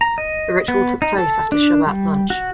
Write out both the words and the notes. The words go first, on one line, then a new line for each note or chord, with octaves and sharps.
The ritual took place after Shabbat lunch.
A#5
D#5
B3
D#4
A4
D4
G3
F#4